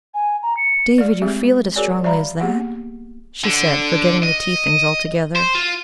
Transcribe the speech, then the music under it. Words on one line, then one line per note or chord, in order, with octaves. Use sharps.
"David, you feel it as strongly as that!" she said, forgetting the tea things altogether.
G#5
A#5
C#7
A3 D5
G#3 C4 G4 G#4 E5
F#4 G#4 A#4 C#5 D5 G#5
G3 D5 E5 F5 A#5 B5
A#3 B3 G4 G#4 F#5
D3
D#5
C5
F4